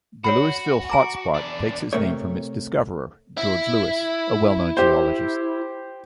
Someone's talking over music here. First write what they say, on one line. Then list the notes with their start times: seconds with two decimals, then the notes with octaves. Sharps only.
The Louisville hotspot takes its name from its discoverer, George Louis, a well-known geologist.
0.24 F#4 C#5 F#5 B5
0.90 G#5 A#5 D6
1.34 E2 D4
1.93 C3 A3 A#4 C#5
3.37 E4
4.77 G4 C5